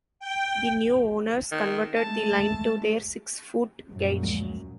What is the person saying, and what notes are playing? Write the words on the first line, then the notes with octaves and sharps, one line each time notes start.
The new owners converted the line to their six-foot gauge.
G5
D#3
G#3 A3 A5
F#2 A#2
D2 F3 G#3